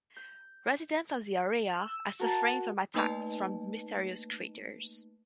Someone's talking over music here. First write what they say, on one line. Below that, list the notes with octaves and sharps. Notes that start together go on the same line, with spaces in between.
Residents of the area are suffering from attacks from mysterious creatures.
G6
E6
F#4 A#4 A5
A3 A#3 D#4 B4 D#5 A5